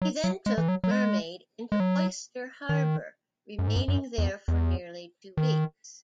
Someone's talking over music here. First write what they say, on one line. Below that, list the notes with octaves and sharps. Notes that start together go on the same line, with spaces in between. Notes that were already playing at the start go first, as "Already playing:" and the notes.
He then took "Mermaid" into Oyster Harbour, remaining there for nearly two weeks.
F#3
F#3
G#3
E3
F#3
F#3
G#3
G#3
F#3
D#3
F#2
G#2
F#2
F#2
E2
E2
D#3